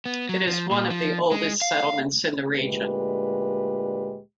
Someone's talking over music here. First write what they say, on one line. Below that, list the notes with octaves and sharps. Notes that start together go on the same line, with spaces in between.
It is one of the oldest settlements in the region.
B3
F#3
F3
A#2
F3
G#3
F5
D2 A#2 G#3 G4 B4